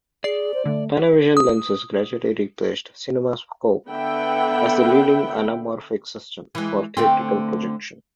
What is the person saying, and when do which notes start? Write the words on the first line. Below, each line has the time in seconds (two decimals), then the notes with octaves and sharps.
Panavision lenses gradually replaced CinemaScope as the leading anamorphic system for theatrical projection.
0.24 G#4 D5 C7
0.54 C5
0.65 D3 A3
1.37 D#6
3.89 D3 B3 E5 F#5 G5 B5
6.55 E3 G#3
6.97 D3 A3 C4